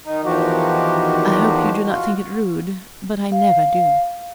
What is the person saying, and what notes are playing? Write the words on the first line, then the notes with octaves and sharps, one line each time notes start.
I hope you do not think it rude--but I never do.'
D#3 D#4
E2 D#3 F3 F#4 G4
F4 F#4
F5